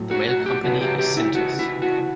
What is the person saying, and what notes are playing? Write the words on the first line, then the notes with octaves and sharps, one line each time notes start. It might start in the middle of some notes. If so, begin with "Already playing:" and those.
The rail company is Syntus.
Already playing: A2 F#3 A3
F#4
F#4
G4
C#3 E3 B3 D4 F#4
G4
G4
E4
F#4
E4
F#4